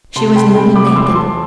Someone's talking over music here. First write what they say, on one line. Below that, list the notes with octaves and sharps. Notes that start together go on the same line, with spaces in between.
She was nearly naked.
C3 A5 C6
G5 B5
C3 G5
B5 D6
D6
E2 C6 E6
D6
A5 C6